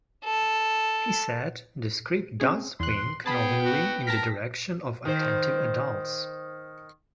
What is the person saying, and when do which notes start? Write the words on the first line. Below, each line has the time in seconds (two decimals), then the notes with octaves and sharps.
He said, "The script does wink knowingly in the direction of attentive adults".
0.25 A4
2.40 C4 C#4 G#4
2.80 E2 C6 F#6
3.26 B3 G#4 G5 A5 B5
3.65 F#4
4.07 A#4 A5 A#6 B6
5.05 D#3 C5